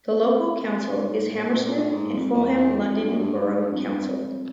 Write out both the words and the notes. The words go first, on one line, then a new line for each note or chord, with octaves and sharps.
The local council is Hammersmith and Fulham London Borough Council.
C3
G#2
A2
A#2
A#2
A2
G#2
F2
E2
E2
F2
F2
G2
F#2
G2
G#2
G#2
G2
F2
E2
F2